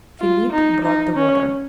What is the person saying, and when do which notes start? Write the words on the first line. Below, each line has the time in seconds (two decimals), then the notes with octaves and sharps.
Philip brought the water.
0.20 F4
0.52 D#4
0.84 D#4
1.15 C#4